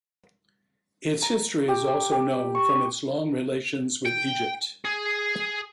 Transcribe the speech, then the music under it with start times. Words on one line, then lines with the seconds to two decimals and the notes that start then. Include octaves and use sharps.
Its history is also known from its long relations with Egypt.
1.22 A#5
1.68 G4
1.87 G4
2.11 G4
2.55 C#6
4.06 G5
4.85 G#4